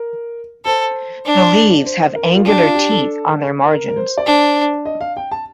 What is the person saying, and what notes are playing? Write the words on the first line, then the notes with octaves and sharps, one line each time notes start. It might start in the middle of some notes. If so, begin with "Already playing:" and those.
The leaves have angular teeth on their margins.
Already playing: A#4
A4 C5
D4
C5
A#4
F4
D4 G4
F4
G4
A4
A#4
A#4
C5
D5
D4 C5
D#5
F5
G5
A5